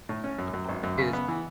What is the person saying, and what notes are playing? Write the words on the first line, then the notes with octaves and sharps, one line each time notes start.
the book is,
A2
C#4
F#2
F#2
G#1
F#2
C#3
B3
E3